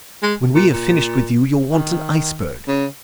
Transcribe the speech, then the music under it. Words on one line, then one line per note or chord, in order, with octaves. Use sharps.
When we have finished with you, you'll want an iceberg.
G#3
A#2
A#2
D#3
C#3